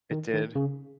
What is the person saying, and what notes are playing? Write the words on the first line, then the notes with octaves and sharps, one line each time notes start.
It did?
D#3
D#3
C#3